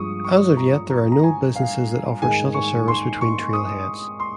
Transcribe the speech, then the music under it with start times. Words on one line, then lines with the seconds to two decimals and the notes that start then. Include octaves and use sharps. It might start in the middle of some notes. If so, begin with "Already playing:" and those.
As of yet there are no businesses that offer shuttle service between trailheads.
Already playing: G2 F3 G#3 C#6 D#6
0.24 C#6
0.57 A#5
0.90 A#5
1.12 A#5
1.23 G#5
1.55 F5
2.22 G#2 D#3 G#3 D#4 G#5
2.54 C#6
2.88 C6
3.21 C#6
3.53 D#6
4.20 C6